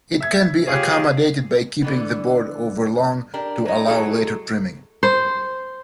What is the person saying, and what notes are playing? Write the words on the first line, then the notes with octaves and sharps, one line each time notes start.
It can be accommodated by keeping the board overlong to allow later trimming.
E5 G#6
F4 G4 G#4 C#5 F5
D3 E3 B3
D4 G4 A#4
F#3 A3 D#4
F#3 G#3 A3 E4 G#4 A4
C5